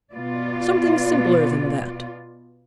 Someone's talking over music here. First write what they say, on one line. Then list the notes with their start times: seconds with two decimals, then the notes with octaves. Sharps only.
Something simpler than that.
0.12 B2 B3 F4 D5